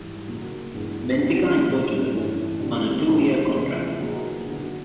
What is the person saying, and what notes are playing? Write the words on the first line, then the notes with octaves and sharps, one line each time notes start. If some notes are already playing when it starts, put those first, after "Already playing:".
Benfica in Portugal on a two-year contract.
Already playing: G#2 E3 G3
C#3 F#3 A#3
G2 E3 G#3 B3
F#3 B3 D4 G4
A2 E3 G3 B3
G2 E3 A3 C#4
F2 D3 G3
F3 G#3 B3 E4 G4
E2 C#3 F3
D#3 F#3 A#3 D#4 G#4
D3 F#3 B3